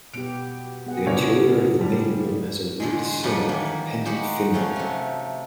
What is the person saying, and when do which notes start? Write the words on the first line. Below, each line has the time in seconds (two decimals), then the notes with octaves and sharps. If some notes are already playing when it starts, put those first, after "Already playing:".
The interior of the main room has a ribbed ceiling with a pendant finial.
0.14 B2 B3 G4 D7
0.87 B3 G#4 F#5
1.05 E2 A#2 C#3 G3 D4 C#5
1.79 F3 G3 G#3
2.80 E2 D3 G#3
3.23 F2 A2 G3 A#3 D5 F#5
3.49 D#3 E3 A#3
4.05 G#3 D#4 F#4 G4 F#5
4.54 F3 A3 C#4 F#4
4.76 C3 A3